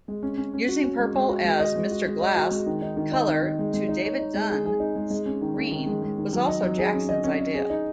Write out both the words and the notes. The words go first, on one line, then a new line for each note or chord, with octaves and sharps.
Using purple as Mr. Glass' color to David Dunn's green was also Jackson's idea.
G#3
C#4
C#4
C#4
F#4
C#4
G#3
G#3
F#4
G#3
D#5
G#3
F#4
G#3
D#5
F#4
G#3
D#3
D#4
D#3
D#4
D#3
D#3
G#3
G#3
D#4
C#5
D#4
G#3
G#4
G#4
D#4
G#3
G#3
C#4
D#3
C#4
D#3
G#3
G#3
D#3
F#3
D#5
F#3
G#4
C#4
D#5
C#4
D#5
G#4
D#4